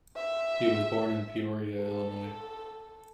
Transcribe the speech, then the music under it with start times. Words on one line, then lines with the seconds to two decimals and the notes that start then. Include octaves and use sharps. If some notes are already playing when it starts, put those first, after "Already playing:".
He was born in Peoria, Illinois.
0.16 E5
1.82 A4